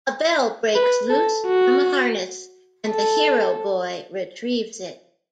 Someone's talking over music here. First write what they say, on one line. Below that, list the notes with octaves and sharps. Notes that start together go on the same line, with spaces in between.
A bell breaks loose from a harness, and the hero boy retrieves it.
B4
A4
F#4
A4